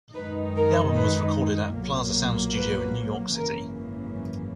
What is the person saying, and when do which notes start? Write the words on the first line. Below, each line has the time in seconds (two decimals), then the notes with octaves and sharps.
The album was recorded at Plaza Sound Studio in New York City.
0.15 F#2 D#3 G#3 D#4 B4
0.56 A#4
0.96 B4
1.76 B1 A#2 F#3 A#3
2.56 B4
3.36 G#1 F#2 C#3 E3 A#3 A#4